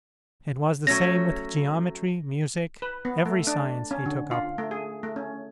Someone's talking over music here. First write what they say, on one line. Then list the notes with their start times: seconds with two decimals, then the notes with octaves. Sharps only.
It was the same with geometry, music, every science he took up.
0.87 F#3 A3 C#4 A#6
2.82 B4
3.05 B3
3.26 A3
3.47 D4
3.91 C#4
4.06 D3
4.31 F4
4.58 A3
4.71 G#4
5.03 A3
5.16 C#4